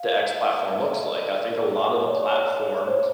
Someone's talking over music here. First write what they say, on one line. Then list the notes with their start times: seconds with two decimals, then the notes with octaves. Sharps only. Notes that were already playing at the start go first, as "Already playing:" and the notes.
the X platform looks like. I think a lot of the platform
Already playing: F5
0.61 E5
0.74 E5
0.84 D#5
1.07 D5
1.97 C#5
2.08 D5
2.18 C#5
2.83 C#5
2.88 C5